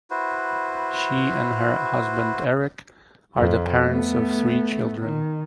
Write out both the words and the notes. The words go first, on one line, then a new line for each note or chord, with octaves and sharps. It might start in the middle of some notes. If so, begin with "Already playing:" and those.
She and her husband Eric are the parents of three children.
E4 F#4 B4 C5
F2
A3 B3
D#3